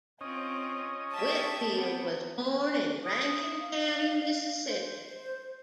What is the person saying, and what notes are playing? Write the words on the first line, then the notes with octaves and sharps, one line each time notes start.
Whitfield was born in Rankin County, Mississippi.
C4 C#4 F4 D#5
G4 E5 A5
C3 B3
D#6
F5
C5